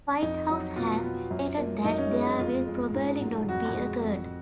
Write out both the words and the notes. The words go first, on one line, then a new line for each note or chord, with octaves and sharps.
Whitehouse has stated that there will probably not be a third.
F2 D#4
F#3 D#4
B2 F4
B3
F#2
A#3
F#2 D#4
C#4
G#3
D#4
F2 F4
G#3
G#2
F#3
F2 F#4
G#3
F2